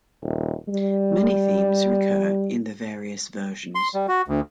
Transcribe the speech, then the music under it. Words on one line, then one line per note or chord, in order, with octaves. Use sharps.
Many themes recur in the various versions.
D#1
G3
C6
G3
F#4
D2